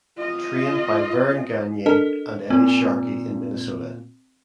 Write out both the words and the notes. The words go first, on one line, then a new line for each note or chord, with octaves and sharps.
Trained by Verne Gagne and Eddie Sharkey in Minnesota.
F4 D#5
D4 A4 A#4 D#5
A#2 C4